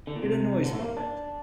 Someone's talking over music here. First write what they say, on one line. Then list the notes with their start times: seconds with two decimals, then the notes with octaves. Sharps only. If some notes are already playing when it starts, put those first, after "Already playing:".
It annoys me a bit.
0.07 D3
0.15 A#2
0.22 C3
0.64 D3
0.73 A3
0.81 A#3
0.97 D4